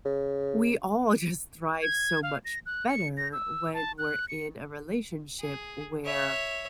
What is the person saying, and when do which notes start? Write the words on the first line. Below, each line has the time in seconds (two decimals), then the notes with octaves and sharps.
we all just thrive so much better when we're in a relationship where,
0.05 C#3
1.82 G#6
2.23 F5
2.45 A#6
2.66 F#6
2.88 C#7
3.17 A#6
3.33 E6
3.74 A5
3.98 F#6
4.29 C#7
5.40 G#4
6.05 C#5 E5